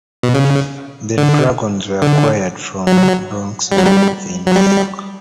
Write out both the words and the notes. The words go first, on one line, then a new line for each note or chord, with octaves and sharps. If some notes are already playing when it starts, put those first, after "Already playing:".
The dragons were acquired from Bronx Zoo in New York.
B2
C#3
D3
D3
F#3
G3
F#3
G3
F#3
G3